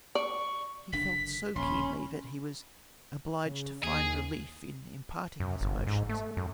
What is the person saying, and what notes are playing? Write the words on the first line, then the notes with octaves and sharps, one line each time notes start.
He felt so keenly that he was obliged to find relief in imparting his emotions.
D5 C#6
F#1 D3 D4 B6
D#1 A#1 C#4 B5 C6
C#3
D#2 G#4
F#2
G1
G#2
A3
F#2